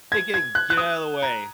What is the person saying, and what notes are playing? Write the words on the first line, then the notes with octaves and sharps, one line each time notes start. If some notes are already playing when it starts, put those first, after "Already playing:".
Hey, King, get outta the way.
G#6
G#6
F#6
F#6
D#6
A#5